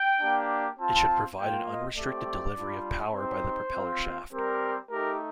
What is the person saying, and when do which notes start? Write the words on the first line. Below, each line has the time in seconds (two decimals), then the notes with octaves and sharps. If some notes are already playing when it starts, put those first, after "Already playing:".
It should provide an unrestricted delivery of power by the propeller shaft.
Already playing: G5
0.21 A#3 D4 G4
0.79 C4 F4 A5
1.38 A#3 F4 G5
1.67 D#5
1.96 A3 C4 G4 D5
2.56 G3 D4 F4
3.14 C4 D#4 G4 C5
3.73 C4 F4
4.31 G3 C4 G4 A#4
4.90 A3 D#4 G4 A#4